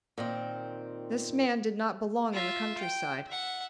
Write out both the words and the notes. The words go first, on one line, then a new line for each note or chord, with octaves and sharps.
This man did not belong in the country-side.
A#2 D#3 C4
F4 E5
G5
E5 F#5